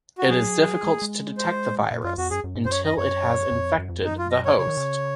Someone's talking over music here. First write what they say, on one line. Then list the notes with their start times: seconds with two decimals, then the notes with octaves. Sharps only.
It is difficult to detect the virus until it has infected the host.
0.18 F#4
0.29 F#3 G#4
0.83 G#3
1.02 G#3
1.37 C5
1.91 A#2
2.04 F#2 F4
2.18 F2 F#4
2.31 F#2 G#4
2.44 F#2
2.55 G#2
2.65 F#2 C5
2.72 C#5
2.85 D#5
2.97 F#2 C#5
3.51 F2
3.78 F#2
3.89 F2
4.02 F#2 D#4
4.18 F4
4.31 D#5
4.45 C#5
4.58 C#3 C#5
4.67 D#3
4.77 C#3